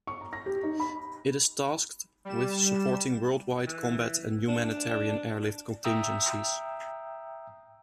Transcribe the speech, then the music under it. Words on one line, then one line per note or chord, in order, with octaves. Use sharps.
It is tasked with supporting worldwide combat and humanitarian airlift contingencies.
C#6
A#5
A#6
G4
D#4
B5
G3 E7
E3
D4
E5 G5 A#5 D#6 E6